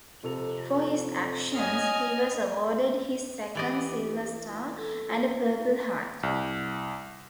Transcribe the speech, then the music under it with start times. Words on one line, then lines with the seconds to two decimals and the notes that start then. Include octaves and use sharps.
For his actions he was awarded his second Silver Star and a Purple Heart.
0.24 F2 C3 A4 F7
1.54 C#5 D#5 F#5 G#5 F6
3.55 E3 G4 D5 D#5
4.77 A4
6.23 C2